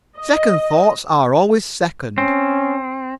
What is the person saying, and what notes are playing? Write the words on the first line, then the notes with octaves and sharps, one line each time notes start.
"Second thoughts are always second."
D#5
C4 C#4